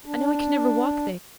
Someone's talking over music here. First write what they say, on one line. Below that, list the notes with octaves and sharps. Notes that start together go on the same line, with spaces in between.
I know I can never walk there.
D4